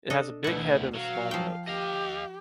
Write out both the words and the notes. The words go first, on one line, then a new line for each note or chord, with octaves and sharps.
It has a big head and a small nose.
D4 A4 D#5
D2 B2 E4 F#5
F#3 F5
F3 G5
G4 D#5 F5